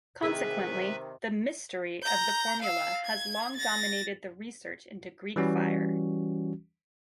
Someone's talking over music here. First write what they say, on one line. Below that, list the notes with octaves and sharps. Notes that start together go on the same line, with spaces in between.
Consequently, the "mystery" of the formula has long dominated the research into Greek fire.
C3 D#3 G#4 A#4 B4 E5
A#5 G6
F5 E6
G#6
A6 A#6
E3 G3 C#4 F#4